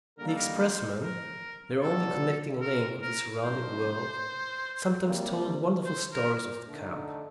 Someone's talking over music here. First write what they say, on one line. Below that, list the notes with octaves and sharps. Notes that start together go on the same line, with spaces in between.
The expressman--their only connecting link with the surrounding world--sometimes told wonderful stories of the camp.
D3 G3 A#3 D#4 A#4
A4
A#4
C5
A#4
A#2 G3 D4 F#4 A4
A#4
A#4
F#2 D3 A3 D#4 C5
C3 G3 A#3
C5
A#4
D3 A3 D#4